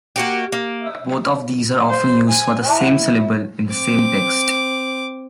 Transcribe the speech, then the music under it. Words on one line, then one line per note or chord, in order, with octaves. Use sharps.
Both of these are often used for the same syllable in the same text.
A#3 F#4 G4
A#3
C5
G#5
E4
C4 D6